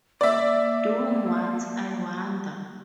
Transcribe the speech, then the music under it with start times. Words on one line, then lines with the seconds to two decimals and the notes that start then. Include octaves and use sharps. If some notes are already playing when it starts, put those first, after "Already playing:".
Doing what, I wonder.
0.21 A#3 D5 E5